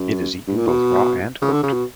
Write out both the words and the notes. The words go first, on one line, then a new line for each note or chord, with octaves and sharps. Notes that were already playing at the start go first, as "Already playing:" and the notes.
It is eaten both raw and cooked.
Already playing: F#2
G2
A#2
B2
C#3
D3
C#3
B2